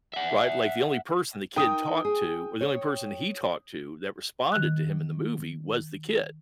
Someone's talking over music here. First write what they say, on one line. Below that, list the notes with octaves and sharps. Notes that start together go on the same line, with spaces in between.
right? Like, the only person the kid talked to or the only person he talked to that responded to him in the movie was the kid.
E5 F#5
D#4 A#4 G5 D#6
G#4
C#5
D#3 F#6